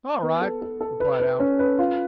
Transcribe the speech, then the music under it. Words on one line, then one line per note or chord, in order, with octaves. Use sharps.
"All right," replied Alf.
B3
A4
A4
A4
B4
B4
C#4
B4
F4